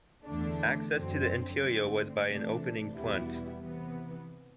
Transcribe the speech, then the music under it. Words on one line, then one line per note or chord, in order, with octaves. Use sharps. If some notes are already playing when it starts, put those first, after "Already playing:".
Access to the interior was by an opening front.
E2 D3 A3 D4
F#2 D3 F#3 C4
F#2 D3 A3 C4
C3 E3 A3 D4
E2 B2 G3 B3 E4
C3 E3 B3